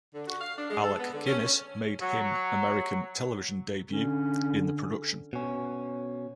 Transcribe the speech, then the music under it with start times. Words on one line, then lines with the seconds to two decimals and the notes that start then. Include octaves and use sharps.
Alec Guinness made him American television debut in the production.
0.14 D3
0.27 F#4
0.41 F5
0.58 D4
0.70 G#3
0.82 A4
0.99 B3
1.13 D3
1.26 C#4
1.39 C#4
2.01 F#3
3.92 D3 C#4
5.33 B2 C#4